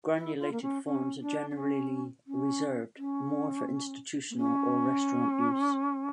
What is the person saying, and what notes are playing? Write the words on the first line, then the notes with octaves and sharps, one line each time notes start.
Granulated forms are generally reserved more for institutional or restaurant use.
E4
F4
A#3
C#4
C#4
D4
D4
C#4
C#4
C#4
A#3
C#4